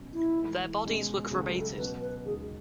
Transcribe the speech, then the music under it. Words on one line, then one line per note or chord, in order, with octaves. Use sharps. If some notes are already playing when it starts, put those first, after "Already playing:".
Their bodies were cremated.
Already playing: B2 F#3 C#4
E4
G#2 E3 A3
B2 G#3 C#4
C#2 C#3 F#3 A3 F#4
A4
B2 F#3 C#4 F#4 B4
B4
D#2 C#3 G#3 D#4 F#4 G#4